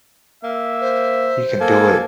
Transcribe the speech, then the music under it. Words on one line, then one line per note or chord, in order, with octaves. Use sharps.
You can do it.
A#3 E5
C5
A#3 A4 G#5